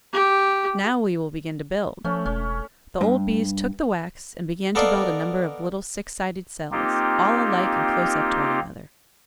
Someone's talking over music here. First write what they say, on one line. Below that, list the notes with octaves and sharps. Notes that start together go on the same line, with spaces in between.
"Now we will begin to build." The old Bees took the wax, and began to build a number of little six-sided cells, all alike and close up to one another.
G4
F3 A3 C#4
E1 C#4
G2
B3 A4 A#4 D5 D#5 F5
A#3 C4 D#4 F4 G4